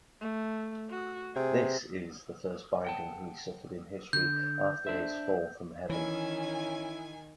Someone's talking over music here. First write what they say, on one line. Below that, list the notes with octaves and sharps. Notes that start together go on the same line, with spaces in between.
This is the first binding he suffered in history after his fall from heaven.
A3
F#4
C3 G#4
F#5 G5 A5
D3 G6
D4 C5 E5
D#3 E3 C#4 E4 G#5